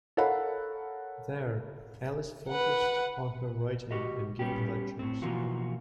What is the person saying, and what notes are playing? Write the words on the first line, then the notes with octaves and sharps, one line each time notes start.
There, Alice focused on her writing and giving lectures.
A4 A#4 C#5 F5 F#5 B5
B4 F#5
F#4 G4 D#5
G3 B3 C#4 G4
A2 C4
B2 E3 F3 A#3 F4 F#4